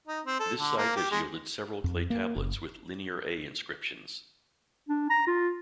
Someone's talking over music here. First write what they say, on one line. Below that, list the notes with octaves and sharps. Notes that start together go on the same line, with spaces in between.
This site has yielded several clay tablets with Linear A inscriptions.
D#4
C4
A4
D3
A#3
G4
G#3
F2
A#3
F#1
D4
A#5
F4